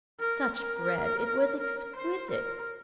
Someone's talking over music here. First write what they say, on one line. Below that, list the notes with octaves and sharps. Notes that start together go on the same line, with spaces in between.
Such bread, it was exquisite!
A#4
A#4
A#4
C5
A#4